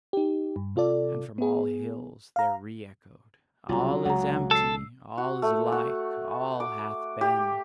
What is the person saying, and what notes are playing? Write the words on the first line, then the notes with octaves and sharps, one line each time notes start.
And from all hills there re-echoed: 'All is empty, all is alike, all hath been!'
D#4 G4
G2
C3 F4 A4 D5
B3 G#4
F5 A#5
C2 C#3 F#3 F4 A#5
C#2 F#5 A#5
A4 E6 C7
F#4
A3
F#4
D6
G4